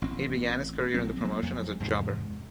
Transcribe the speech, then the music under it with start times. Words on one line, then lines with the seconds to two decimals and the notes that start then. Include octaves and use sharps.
He began his career in the promotion as a jobber.
0.02 A1 C4
0.94 A#1 F#3 C4
1.21 F#3 A#3
1.43 F2
1.80 E2 G#2 C3